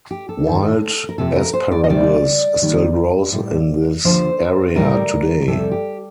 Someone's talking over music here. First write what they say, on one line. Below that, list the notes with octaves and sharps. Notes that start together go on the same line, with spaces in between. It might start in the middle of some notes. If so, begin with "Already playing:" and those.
Wild asparagus still grows in this area today.
G4
A4
G2 D#3 G3
A#4
F2 C3 F3 A4
A#4
C5
D5
D#5
D2 C3 D#3 G3 D5
D#2 D#3 G3
A2 G3
D#2 D3 F3 C5
A2 G3 A#4
F2 C3 G3 A4
G4